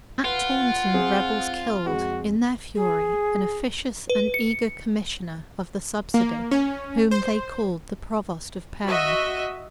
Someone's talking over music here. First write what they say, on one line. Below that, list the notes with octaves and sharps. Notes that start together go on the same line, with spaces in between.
At Taunton, the rebels killed, in their fury, an officious and eager commissioner of the subsidy, whom they called the provost of Perin.
F4 B4 F#5
C4 G#4
F2 G#3 F#4
G#4
B4
C#7
A#3
C#4
C5
F#4 D#5 E5